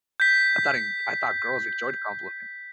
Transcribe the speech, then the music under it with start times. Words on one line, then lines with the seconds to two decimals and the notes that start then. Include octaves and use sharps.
I thought in I thought girls enjoyed compliments.
0.20 G6 B6